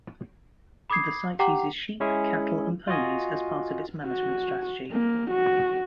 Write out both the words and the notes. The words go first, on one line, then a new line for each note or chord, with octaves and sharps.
The site uses sheep, cattle and ponies as part of its management strategy.
B5 D6 D#6 G#6 C7
G4 F#5 G5 A#5 D6
G#3 C#4 E4 G#4
F4 F#4 D#5 G#5
F#4
A#3
F#4